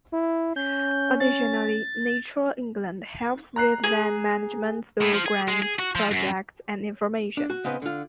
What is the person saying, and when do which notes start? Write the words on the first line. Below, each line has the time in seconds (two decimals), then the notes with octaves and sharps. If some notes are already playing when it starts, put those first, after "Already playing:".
Additionally Natural England helps with land management through grants, projects and information.
0.13 E4
0.56 C#4 G6
1.20 A6
3.56 A#5 F#6 C7
3.84 G#4
5.01 A2
5.14 F3
5.26 G#4
5.48 G#3
5.62 G#4
5.79 F#4
5.95 F3
6.11 F#2
7.37 D4
7.50 F#4
7.64 C#3 B3 C4 D#4 B4 D#5
7.82 D3 F4